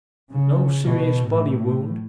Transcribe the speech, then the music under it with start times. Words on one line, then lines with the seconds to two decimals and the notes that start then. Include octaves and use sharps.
No serious body wound.
0.31 C#3
0.85 B2
1.28 A2